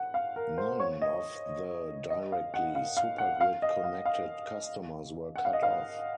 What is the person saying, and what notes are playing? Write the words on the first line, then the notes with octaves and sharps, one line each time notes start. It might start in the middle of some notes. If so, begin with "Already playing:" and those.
None of the directly supergrid-connected customers were cut off.
Already playing: F#5
F5
A#4
C5
C#5
D#5
D#5
F5
F#5
F5
F5
F#5
F5
D#5
F5
F5
F#5
F5
D#5
F5